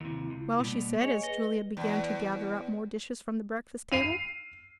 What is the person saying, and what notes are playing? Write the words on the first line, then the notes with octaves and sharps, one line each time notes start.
"Well!" she said as Julia began to gather up more dishes from the breakfast table.
D#2 C3 E4
C#2
B2 G3 A#3
G#4 C#5 D#5 G#5
B4 D#5
E2
C7 D#7 F7